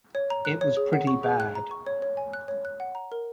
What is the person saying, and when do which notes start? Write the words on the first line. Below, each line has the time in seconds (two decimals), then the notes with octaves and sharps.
It was pretty bad.
0.15 C#5
0.30 A#5
0.45 F#6
0.61 C#5
0.77 G#4
0.93 F#5
1.07 C#6
1.23 G#4
1.40 F#6
1.55 A#5
1.71 C#6
1.86 C#5
2.02 C#5
2.17 G#5
2.33 F#6
2.48 C#5
2.65 F#6
2.80 F#5
2.95 A#5
3.12 A#4